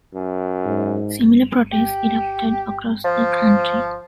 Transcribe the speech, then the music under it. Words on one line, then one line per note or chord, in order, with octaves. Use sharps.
Similar protests erupted across the country.
F#2
G#2
G4
F3